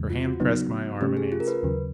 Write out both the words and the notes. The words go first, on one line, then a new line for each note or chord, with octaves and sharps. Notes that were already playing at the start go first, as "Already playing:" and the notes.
Her hand pressed my arm in answer.
Already playing: E2 C#3 E3 G#3
F4
F#4
C#3 F#3 B3 D#4
C3 F3 A3 C#4 G4
G#4
F4
A#4
B4
D#2 C#3 F#3